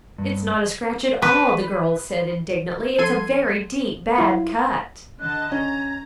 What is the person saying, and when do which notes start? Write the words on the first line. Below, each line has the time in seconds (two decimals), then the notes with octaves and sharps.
"It's not a scratch at all," the girl said, indignantly; "it's a very deep bad cut."
0.18 G2
1.22 B4
2.98 F3 A4 C6 G#6 C7 D#7
4.18 F#3 E4 F4
5.20 D3 D#5 A5 F#6
5.52 C#4 A#5 G#6